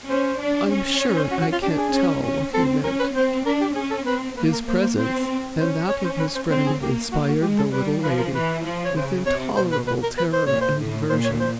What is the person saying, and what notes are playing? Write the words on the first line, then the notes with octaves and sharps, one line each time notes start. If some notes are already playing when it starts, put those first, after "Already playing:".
"I'm sure I can't tell what he meant." His presence and that of his friend inspired the little lady with intolerable terror and aversion.
C#4 C5
D4
C#4
C#5
C5
F#4
F#4
F4
D4 G4
G#4
C#4
C#4
C4 A4
C#4 A#4
B4
C4 C5
D4 A#4
G4
C#4 G#4
A4
C4 B4
A#3 B4
A#4
A#3 C5
C5
C4 C5
C#4 C5
C#5
C5
B4
C5
C4 C5
G#4
A#3 G4
A#3 F#4
F#4
G#3 G4
A4
G3 B4
F3 B4
A#4
E3 B4
F3
C#5
C#3 C5
C3 C#5
B2 C5
B4
B4
A#4
B4
C5
A#2 C#5
C5
A2
A#2 C5
C#5
C5